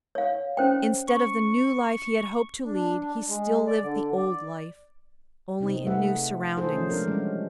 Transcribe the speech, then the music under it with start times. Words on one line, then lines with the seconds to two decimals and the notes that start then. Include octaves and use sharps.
Instead of the new life he had hoped to lead he still lived the old life, only in new surroundings.
0.15 C#5 F5
0.57 C#4 C5 G5
1.07 C#6
2.66 D4
3.29 G#3
3.67 D5
3.83 D3
4.17 D5
5.60 C3 C4 D#4
5.87 A3 G#4 B4 E5 F#5
6.57 A3 D#4 F4 G#4 A4 C5
6.73 F3 C#4
6.90 G#3 A3 B3 D4 A#4
7.07 E3 G3 G#3 C#4